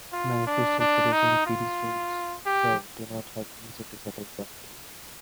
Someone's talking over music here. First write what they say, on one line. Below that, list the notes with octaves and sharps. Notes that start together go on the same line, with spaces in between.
Many crystal-producing Bt strains, though, do not have insecticidal properties.
F4
D4
D4
D#4
F4
G4